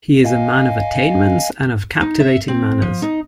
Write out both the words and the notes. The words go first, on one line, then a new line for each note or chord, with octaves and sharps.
He is a man of attainments and of captivating manners.
D#5 F5 G#5
D#4
E5
C4
F3
D#4